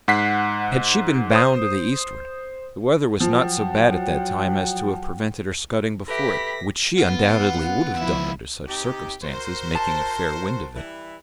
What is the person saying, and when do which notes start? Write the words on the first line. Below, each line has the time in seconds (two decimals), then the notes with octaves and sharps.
Had she been bound to the eastward, the weather was not so bad at that time as to have prevented her scudding before it, which she undoubtedly would have done under such circumstances, making a fair wind of it.
0.08 G#2 F#5 B6 C7
1.32 C5 D#6
3.20 F3 F#3 F#5 G5
6.08 G4 A4 B4 E5 B5 A#6 B6
6.98 B3 F4 F#5
7.94 D#2 F3 E4 E5
8.67 C3 D#4 G4
9.23 F#4 A#4 C5
9.75 A5
10.74 E3 G3 E4